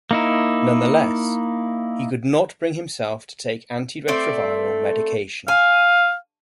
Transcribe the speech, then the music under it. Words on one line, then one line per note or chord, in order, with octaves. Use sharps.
Nonetheless, he could not bring himself to take antiretroviral medication.
A#3 D#4 E4
A3 C4 D5
F5 G#5